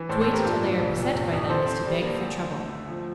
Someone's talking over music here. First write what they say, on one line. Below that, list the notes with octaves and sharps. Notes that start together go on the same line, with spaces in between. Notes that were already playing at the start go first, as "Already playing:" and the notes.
To wait until they are beset by them is to beg for trouble.
Already playing: E3
A2 A4 C5
A4 C5
A2
G4 A#4
G2 F4 A4
E3
C2
A#2
G1
F2
C4 A4 C5
C4
G3
A#3
D2
D2
A3
A3
F3